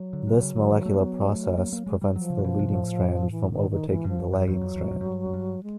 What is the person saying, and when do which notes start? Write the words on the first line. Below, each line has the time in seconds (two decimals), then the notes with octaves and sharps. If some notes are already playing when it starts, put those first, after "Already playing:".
This molecular process prevents the leading strand from overtaking the lagging strand.
Already playing: F#3
0.13 D3
0.27 C3
0.43 C#3
0.56 D3
0.71 D#3
0.85 A3
0.93 A#3
1.00 B3
1.29 A3
1.57 A#3
1.72 A#3
1.86 G#3
2.01 G3
2.15 F3 F#3
2.30 C#3
2.39 C3
2.44 B2
2.59 C3
2.74 A2
3.31 E3
3.51 D#3
3.70 D#3
3.89 G#2 E3
4.04 G2 F3
4.19 F#2
4.28 F#3
4.33 F2
4.47 E2 F#3
4.61 F2
4.76 E2
4.91 F2
5.01 F#2
5.06 G2
5.26 F#2
5.34 G2
5.63 G#3